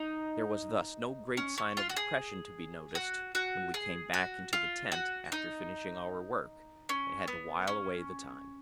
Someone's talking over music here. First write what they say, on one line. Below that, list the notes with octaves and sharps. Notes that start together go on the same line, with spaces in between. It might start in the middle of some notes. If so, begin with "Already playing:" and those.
There was thus no great sign of depression to be noticed when we came back into the tent after finishing our work, and had to while away the time.
Already playing: D#4
C#4
C#4
F4
F#4
G#4
F#4
F#4
G#4
F#4
F4
F#4
D#4
C#4
B3
C#4